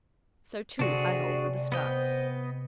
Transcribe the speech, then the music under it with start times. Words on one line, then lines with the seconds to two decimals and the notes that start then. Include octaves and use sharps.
So, too, I hold, with the stars.
0.79 C3 A3 D4 F#4 G#4 D5
1.72 B3 C5 D#5 G5